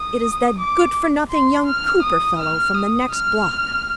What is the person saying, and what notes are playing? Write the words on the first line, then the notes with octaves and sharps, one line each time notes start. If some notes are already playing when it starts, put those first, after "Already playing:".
It is that good-for-nothing young Cooper fellow from the next block.
Already playing: D#6
D6
C6
F6
D#6
F6
D#6
F6